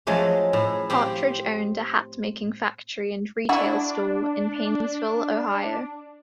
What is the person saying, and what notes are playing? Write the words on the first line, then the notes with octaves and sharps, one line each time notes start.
Partridge owned a hat-making factory and retail store in Painesville, Ohio.
F3 F#3 G#3 A3 C#4
A2
C4 G4 F5 G5
D4 E4 F#4 G#4